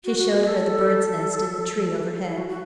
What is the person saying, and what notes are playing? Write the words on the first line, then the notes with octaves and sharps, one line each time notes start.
She showed her the bird's nest in the tree overhead.
F#4
F#4
G#4
A4
E4
F#4
F#4